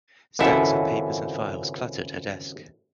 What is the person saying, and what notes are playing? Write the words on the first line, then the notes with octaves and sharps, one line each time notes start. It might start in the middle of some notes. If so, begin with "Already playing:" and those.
Stacks of papers and files cluttered her desk.
G#1 C#2 F#2 E4 A4